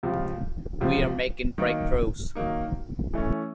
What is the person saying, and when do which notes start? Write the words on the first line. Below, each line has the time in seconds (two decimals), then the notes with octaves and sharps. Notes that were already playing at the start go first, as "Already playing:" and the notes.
We are making breakthroughs.
0.03 C#2 C3 F3
0.80 C#2 C3 F3
1.58 D#3 F#3 A#3 D#4
2.35 D#3 F#3 A#3 D#4
3.13 E3 A3 C#4